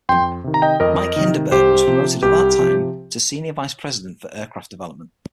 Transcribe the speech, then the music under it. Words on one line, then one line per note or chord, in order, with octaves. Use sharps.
Mike Hinderberger was promoted at that time to senior vice president for aircraft development.
F2 G5 C6
C3 D#3
A#5
D#5 G5
F2 A#4 D#5
C3 D#3
C2 G4 C5
C3 F3
C2 G4
C3 F3